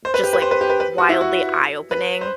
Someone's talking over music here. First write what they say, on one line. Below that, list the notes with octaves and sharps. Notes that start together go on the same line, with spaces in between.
just, like, wildly eye-opening,
C5
B4
G4
B4
C5
B4
G4
B4
B4
F#4
E4
F#4
B4
C5